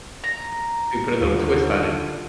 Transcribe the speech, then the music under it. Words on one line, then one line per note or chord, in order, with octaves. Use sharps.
You put a little twist on it.
A#5
D#2 D3 F4